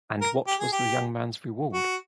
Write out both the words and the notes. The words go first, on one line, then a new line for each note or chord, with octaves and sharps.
And what was the young man’s reward?
A#4
G4
G#4
G4
F#4